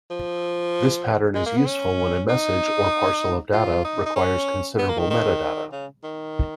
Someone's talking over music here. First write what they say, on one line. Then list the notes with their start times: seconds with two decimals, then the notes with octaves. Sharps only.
This pattern is useful when a message, or parcel of data, requires considerable metadata.
0.10 F3
1.35 G#3
1.46 A#3
1.56 B3
1.66 C#4
2.29 D#4
3.53 F4
3.85 D#4
4.06 D#4
4.16 C#4
4.79 B3
4.89 A#3
4.99 D#3
5.10 D#3
5.72 C#3
6.04 D#3